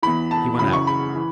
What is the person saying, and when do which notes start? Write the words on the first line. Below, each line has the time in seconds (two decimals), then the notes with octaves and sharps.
He went out.
0.03 E2 E3 B5
0.31 A5
0.59 F#2 C#3 E3 B5
0.73 C#6
0.87 B5
1.15 E3